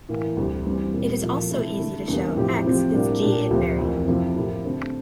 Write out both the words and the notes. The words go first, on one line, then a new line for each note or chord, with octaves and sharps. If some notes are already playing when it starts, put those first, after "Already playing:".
It is also easy to show "X" is "G" invariant.
A2 E3 A#3
D2 C3 G3
G2 E3 G3 C4
A#2 G3 C4 G4
A#2 F3 A3 E4
C3 E3 A3 E4
D3 A3 E4
E2 C3 G3 A#3 D4
A2 F3 C4 E4 G4
C3 F3 C4 G4
A2 G3 A#3 D4 G4
A#2 A3 D4 G4
D2 C3 F3 C4 G4
F2 E3 A#3
C3 F3 A3 E4
A2 F3 A#3 E4 G4
D3 A3 C4